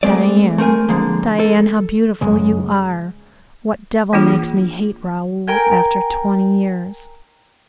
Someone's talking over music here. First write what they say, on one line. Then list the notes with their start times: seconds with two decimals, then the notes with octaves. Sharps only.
Diane, Diane, how beautiful you are!... What devil makes me hate Raoul after twenty years?
0.03 G#3 A3 C4 D5
0.58 A3 C4 A#4 G#5
0.88 D3 F3 G#3 A#3
1.40 A4
2.21 C#2 F#2 G#3
4.13 E3 A#3 D4 F4 G#4
5.48 A#4 G5 G#5